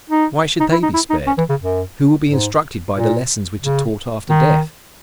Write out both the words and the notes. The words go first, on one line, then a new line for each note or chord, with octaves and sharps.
Why should they be spared? Who will be instructed by the lessons which are taught after death?
D#4
D#4
E4
D#4
E4
D#4
C#4
E3
C#3
F#2
G#2
A#2
C#3
D#3